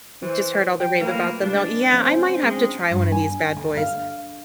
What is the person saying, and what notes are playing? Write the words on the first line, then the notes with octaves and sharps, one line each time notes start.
Just heard all the rave about them, though, yeah, I might have to try one of these bad boys.
E3 C5
F#3 G5
A3 A#3 F4 B4
C3 G#3 D4
F3 C4 C#4 F5
G#3 C4 D4
G2
G#5
D2
F5